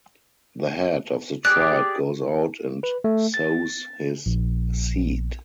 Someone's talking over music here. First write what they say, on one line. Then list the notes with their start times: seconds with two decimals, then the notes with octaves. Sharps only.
The head of the tribe goes out and sows his seed.
1.45 G4 G#4 D5 F#6
2.83 B4
3.04 A3
3.34 A6
4.26 A#1